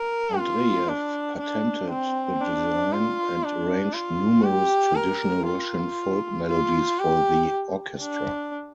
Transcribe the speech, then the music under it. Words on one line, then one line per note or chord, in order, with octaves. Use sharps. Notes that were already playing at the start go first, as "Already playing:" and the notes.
Andreyev patented the design and arranged numerous traditional Russian folk melodies for the orchestra.
Already playing: A#4
F4
D4
D4
C4
D4
F4
D4
F4
G4
A#4
F4
F4
G4
D4